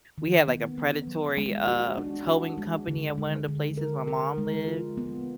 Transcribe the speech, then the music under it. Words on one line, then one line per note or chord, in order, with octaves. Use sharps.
we had, like, a predatory, uh, towing company at one of the places my mom lived,
D#3
B3
B3
F#3
G#3
F#4
D4
F#4
G#3
D3
G#3
D3
A#4
A#4
G#3
F4
B3